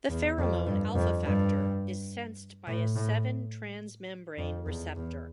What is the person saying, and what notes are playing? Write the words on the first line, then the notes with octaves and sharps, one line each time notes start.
The pheromone alpha-factor is sensed by a seven transmembrane receptor.
E2
F2
G2
F2
G2
A2
A2
F2
E2
E2